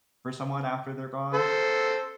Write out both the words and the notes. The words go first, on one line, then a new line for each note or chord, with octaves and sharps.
for someone after they're gone,
A4 C5